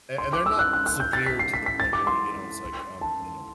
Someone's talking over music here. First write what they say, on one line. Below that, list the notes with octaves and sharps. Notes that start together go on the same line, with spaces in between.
A and they're not severe to the point where, you know, it's like, um, you know,
C6
D6
E6
F#6
F#6
F#6
G6
A6
B6
C7
B6
B6
A6
D6
C6
A5